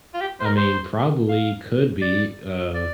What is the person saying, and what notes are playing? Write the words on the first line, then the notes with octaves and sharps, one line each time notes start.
I mean, probably, could be, uh,
F4
G4
C5
A#4
C5
F5
D5
D5